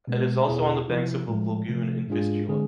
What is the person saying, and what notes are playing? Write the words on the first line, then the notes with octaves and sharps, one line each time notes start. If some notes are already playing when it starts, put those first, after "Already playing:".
It is also on the banks of the lagoon in Vistula.
B2 G#3 B3
E2 B2 B3 E4 G#4
C3 F3 B3 E4
A2 F3 G#3
C3 F3 A3
G#2 G#3 D4 F4 G#4
D3 G#3 C4 G#4